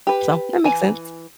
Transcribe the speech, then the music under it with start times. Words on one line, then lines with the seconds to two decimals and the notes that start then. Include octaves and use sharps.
So, that makes sense.
0.07 G4 B4
0.64 E3 G#5